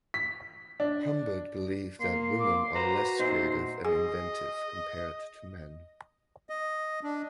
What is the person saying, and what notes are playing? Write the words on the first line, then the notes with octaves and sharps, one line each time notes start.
Humbert believed that women are less creative and inventive compared to men.
B6
D4
A#3 C6
D6
F#4 B4 C5 A#5
A#2 D#4 C5 C6
G#4 D#5 G#5
D#5
D4